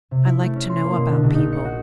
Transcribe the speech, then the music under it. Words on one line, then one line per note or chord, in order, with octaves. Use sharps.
I like to know about people.
C3
E4
A3
C#4
C6
A#3
B2
D3
A#1
D#4
C#7
F#4